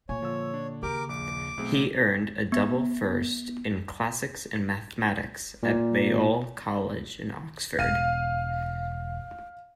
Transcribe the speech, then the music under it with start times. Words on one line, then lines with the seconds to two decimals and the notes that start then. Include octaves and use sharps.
He earned a double first in Classics and mathematics at Balliol College, Oxford.
0.09 A#2 A#3 C#5 G#5
0.22 D3 F3 E6
0.54 D4
0.83 D#2 C#3 G4 A#4 D6
1.09 A#1 D6
1.58 B1 A3 C4 G#4
2.52 B3
5.63 A#2
7.79 E1 F5 D#7